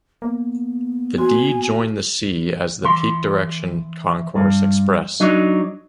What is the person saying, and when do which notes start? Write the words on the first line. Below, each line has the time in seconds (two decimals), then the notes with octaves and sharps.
The D joined the C as the peak direction Concourse Express.
0.22 A#3 B3
1.18 F#4 G#5 C6
2.84 E3 C6
4.35 G2
5.20 F#3 D4 D#4